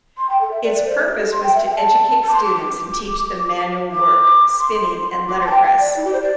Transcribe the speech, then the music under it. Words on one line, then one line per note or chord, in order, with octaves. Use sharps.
Its purpose was to educate students and teach them manual work: spinning, and letterpress.
C6
G5
A4
E5
D5
D5
C5
G4
A4
C6
G5
E5
G5
A5
A5
D6
C6
D6
D6
D6
C6
D6
C6
A5
G5
G5
D5
E4
G4
C5
D5